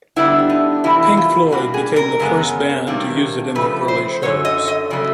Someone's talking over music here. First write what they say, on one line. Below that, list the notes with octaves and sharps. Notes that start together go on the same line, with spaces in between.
Pink Floyd became the first band to use it in their early shows.
D3 G3 B3 D4 E4
D#4
E2 C3 E3 G3 A#3 E4
F4
B2 G3 A#3 D4 F#4
G#4
A#4
F#2 C#3 G#3 B3
C3 D#3 G3 A#3 D4
C#3 F3 A3 C4 B4
C5
F#2 D3 F#3 C#5
D#5
D#5
C#3 F#3 A3 D5